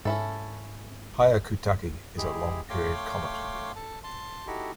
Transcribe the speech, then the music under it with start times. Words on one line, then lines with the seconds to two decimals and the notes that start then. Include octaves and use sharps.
Hyakutake is a long-period comet.
0.05 G#2 C#4 E4 A4
2.18 G#3 E4 G4 G#4
2.70 A3 C#5 F5 G5 C6 D6
3.76 A4 A5
4.04 A5 C6
4.47 D#4 E4 F#4 G4 A4